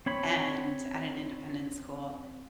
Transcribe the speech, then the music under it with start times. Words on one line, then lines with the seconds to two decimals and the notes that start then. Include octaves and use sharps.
and at an independent school,
0.06 C4 C#5 B5